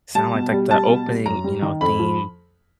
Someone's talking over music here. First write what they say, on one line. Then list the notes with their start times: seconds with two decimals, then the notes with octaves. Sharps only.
sound like? Like, the opening, you know, theme
0.15 G3 A5
0.34 B2
0.52 G3
0.71 G3 A5
0.89 B2
1.07 G3
1.26 F#2 A#5
1.44 G3
1.62 D#3
1.81 F2 B5
1.99 F3